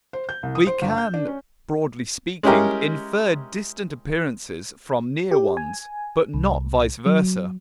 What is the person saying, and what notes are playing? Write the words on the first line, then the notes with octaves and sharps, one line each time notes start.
We can, broadly speaking, infer distant appearances from near ones, but not vice versa.
C5
G6
C2
D#6
C5
G1
G6
D4
C#4
G#3 C#4 E4 G4 A#4
G4
G#5
C2
F#3